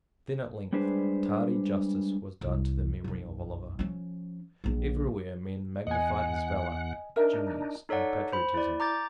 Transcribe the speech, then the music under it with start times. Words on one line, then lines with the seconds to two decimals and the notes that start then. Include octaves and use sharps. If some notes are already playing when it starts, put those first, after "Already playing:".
Then, at length, tardy justice was done to the memory of Oliver. Everywhere men magnified his valour, genius, and patriotism.
0.73 G3 G#3 D4 G#4 B4 C5
2.41 C2
3.04 B1 F#2
3.79 F3 C#4
4.64 A#1 F3
5.87 E2 D#5 F#5 G#5
7.16 D4 D#4 A#4 E5
7.89 D#4 A4 C#5 D5 F#5
8.32 C5 B5
8.54 E4 D5
8.80 A#5 D6 G6 A6